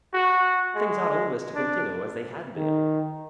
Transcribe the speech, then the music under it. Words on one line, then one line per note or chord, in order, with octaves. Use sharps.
Things ought always to continue as they had been.
F#4
G#3
D4
D#3